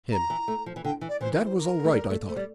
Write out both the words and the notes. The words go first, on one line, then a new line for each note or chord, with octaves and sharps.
HIM: That was all right, I thought.
A#5
E3
A3
F3
E3
D3 G5
E3
D5
E3 C5
A#4
C5
A#4
A3
G3
A3
A3 C5
G3 D5